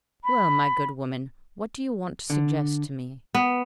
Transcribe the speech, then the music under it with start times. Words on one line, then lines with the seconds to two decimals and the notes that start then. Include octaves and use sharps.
Well, my good woman, what do you want to suggest to me?'
0.24 B5
2.30 D3
3.35 B3